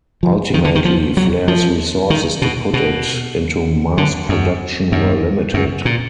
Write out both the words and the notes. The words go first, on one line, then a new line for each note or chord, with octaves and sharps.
Ultimately, Flare's resources to put it into mass production were limited.
F3
D#3
D3
D#3
F3
F#3
F3
D#3
B2
B2
D3
F#2
F#2
F#2
A#2